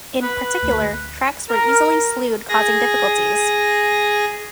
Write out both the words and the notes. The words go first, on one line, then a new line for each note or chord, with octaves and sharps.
In particular, tracks were easily slewed causing difficulties.
B4
D2
A#4
G#4 A#6